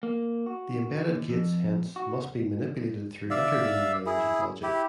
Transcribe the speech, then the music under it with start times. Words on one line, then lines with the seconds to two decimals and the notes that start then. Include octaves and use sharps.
The embedded gates, hence, must be manipulated through intervening layers of logic.
0.03 A#3
0.46 F#4
1.09 D#2
1.29 F2
1.96 F#4
3.31 D5 E5 F5 E6
4.06 E4 G#4
4.63 E4 G4